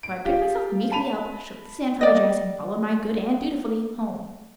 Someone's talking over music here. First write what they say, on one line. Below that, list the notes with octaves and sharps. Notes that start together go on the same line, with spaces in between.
So I picked myself meekly up, shook the sand from my dress, and followed my good aunt dutifully home.
D7
F4 G4
A5 B5 D#7 F7
D5 D#5